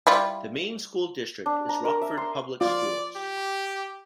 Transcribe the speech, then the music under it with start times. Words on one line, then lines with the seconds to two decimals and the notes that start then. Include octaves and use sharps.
The main school district is Rockford Public Schools.
0.07 G3 E4 F4
1.46 D4
1.69 A#5
1.85 A#4
2.02 E5
2.17 C6
2.61 F4 D5
3.16 G4